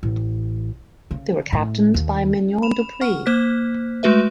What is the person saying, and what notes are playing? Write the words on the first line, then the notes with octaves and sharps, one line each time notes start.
They were captained by Mignon du Preez.
A1
C#3
A2
D#2
B5 E7 F7
F#5 C#6 F6
A#3 C5 F6 F#6 B6
G#3 A3 F#4 B4 E5